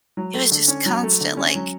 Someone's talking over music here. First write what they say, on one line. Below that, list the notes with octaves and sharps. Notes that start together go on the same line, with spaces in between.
It was just constant, like,
F#3
A3
D3
C#4
F#3
A3
D3
C#4
F#3